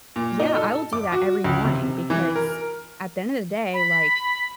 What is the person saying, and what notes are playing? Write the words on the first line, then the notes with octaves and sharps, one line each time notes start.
Yeah, I will do that every morning because at the end of the day, like,
A#2
D#4
A4
D6
F#4
C#2
C3
E3
A#4
B5